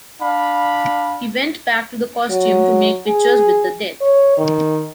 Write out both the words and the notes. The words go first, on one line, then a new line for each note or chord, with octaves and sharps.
He went back to the costume to make pictures with the death.
D4 F5 B5
F#3
G#4
C#5
D#3